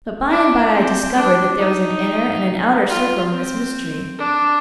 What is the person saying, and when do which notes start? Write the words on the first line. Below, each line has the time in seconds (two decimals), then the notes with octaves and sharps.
'But by and by I discovered that there was an inner and an outer circle in this mystery.
0.29 D4
0.73 C4
1.16 D4
1.59 D#4
2.89 F4
3.32 C4
4.19 D4